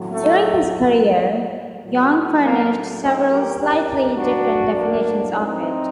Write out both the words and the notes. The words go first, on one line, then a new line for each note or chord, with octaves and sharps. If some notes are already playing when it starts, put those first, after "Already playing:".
During his career, Jung furnished several slightly different definitions of it.
Already playing: A2 F#3
A3
A2 F#3
A#3
C4 D#4
G4 A#4
G4 A#4
A2 F#3 D4 F#4
A#3 D4
C4 D#4